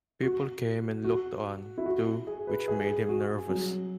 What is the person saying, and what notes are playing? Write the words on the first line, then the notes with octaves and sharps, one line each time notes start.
People came and looked on, too, which made him nervous.
F#4
F#4
E4
F#4
G#4
B4
G#4
F#4
F#3